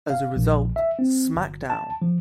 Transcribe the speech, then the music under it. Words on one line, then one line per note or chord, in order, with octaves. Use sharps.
As a result, SmackDown!
F5
A#1
E5
C4
G1
A5
F3